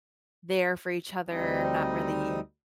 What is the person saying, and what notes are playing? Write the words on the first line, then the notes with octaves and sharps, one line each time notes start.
there for each other, not really
D2 G3 C4 D#4 D#5